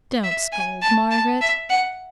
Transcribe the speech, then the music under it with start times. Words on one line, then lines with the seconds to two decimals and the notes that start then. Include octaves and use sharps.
'Don't scold, Margaret.
0.23 E5
0.52 G#5
0.82 A5
1.11 A5
1.41 E5
1.70 F#5